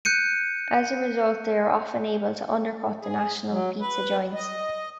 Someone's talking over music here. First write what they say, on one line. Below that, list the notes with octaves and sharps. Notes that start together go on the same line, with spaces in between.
As a result, they are often able to undercut the national pizza giants.
F#6 G6 C#7 D#7
G#4
F#3
B4
D#5